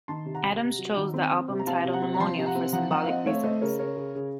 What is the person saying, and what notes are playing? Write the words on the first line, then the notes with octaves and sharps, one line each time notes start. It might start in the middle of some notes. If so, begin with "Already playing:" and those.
Adams chose the album title "Pneumonia" for symbolic reasons.
D#3 A5 C6
C3
F#5 A#5
C3
C3
F#3
D#3
C4
C4
C3
A#5
C4 F5 A5
C3
F#5 A#5
C4
A#5
F3 A5 C6
C3
F#5 A#5
C4
F3 F#5 A#5
F3 F#5 A#5
F5
C4 D#5 F#5
A3 C#5 F5
A3 C5 D#5
C#3 A#4 C#5
C#3 A#4 C#5
C#3
C#3